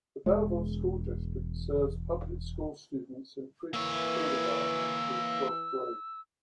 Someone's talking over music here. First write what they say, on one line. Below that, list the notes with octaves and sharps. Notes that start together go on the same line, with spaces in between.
The Belleville School District serves public school students in pre-kindergarten through twelfth grade.
E1 G#3
E3 A#3 C#5 E6